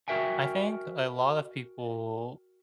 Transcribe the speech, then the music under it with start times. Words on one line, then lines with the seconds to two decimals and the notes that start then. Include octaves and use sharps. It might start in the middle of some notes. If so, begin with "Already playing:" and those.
I think a lot of people
0.08 F#4 A#4 E5 G5 G#5